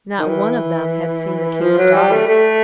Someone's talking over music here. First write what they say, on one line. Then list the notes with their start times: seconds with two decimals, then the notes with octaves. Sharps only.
Not one of them had seen the King's daughters.
0.19 D#3
0.29 E3
1.61 F3
1.78 F#3
1.95 G3
2.11 A3
2.27 A3